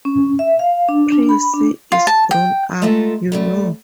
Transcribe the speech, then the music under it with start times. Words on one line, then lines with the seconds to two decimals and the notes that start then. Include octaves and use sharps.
Prissy is grown up, you know.
0.05 C#4
0.39 E5
0.59 F5
0.89 D4
1.12 D4
1.29 B5
1.54 D4
1.92 F4
2.07 A5
2.31 G5
2.82 G#3 A3 F4 A4 A#4 E5
3.32 F#2 G3 A3